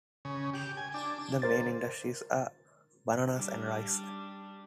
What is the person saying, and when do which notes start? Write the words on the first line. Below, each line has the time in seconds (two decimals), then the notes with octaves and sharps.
The main industries are bananas and rice.
0.25 C#3
0.54 G4
0.77 G#5
0.94 D4
1.42 A#4 C5 A6
3.34 G3 D4